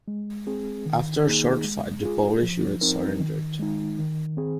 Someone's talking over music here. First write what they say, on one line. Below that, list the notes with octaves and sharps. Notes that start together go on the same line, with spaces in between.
After a short fight the Polish unit surrendered.
G#3
C4 G#4
D#3
A#3 D#4 G#4
G#3
F4 G#4
F3
C4 D#4 A#4
D#3
G#3 D#4
D#3
C4 G#4